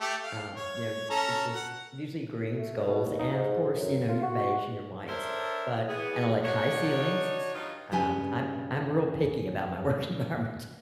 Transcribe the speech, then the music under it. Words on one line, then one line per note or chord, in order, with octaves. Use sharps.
Um, you know, y it just usually greens, golds, and, of course, you know, your beige and your whites, but and I like high ceilings, s um, I'm I'm real picky about my work environment.
A3 G4 A4
F5
C#5
C#4 A4 A#5
F#5
A3
B2
D#2
D#4
G#2
F#2
F4
F#4
D4 A4 A#4 C5 C#5 E5
E3 B3 G#4
D4 D#4 F#4 C#5
G2 D#4 F4
G2 C#3 G4 B4 G#5